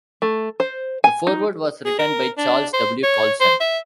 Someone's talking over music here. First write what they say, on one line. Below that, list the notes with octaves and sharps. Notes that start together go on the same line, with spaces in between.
The foreword was written by Charles W. Colson.
A3
C5
G#5
D#4
G#4
A#4
D4
C5
C#5
C5
E5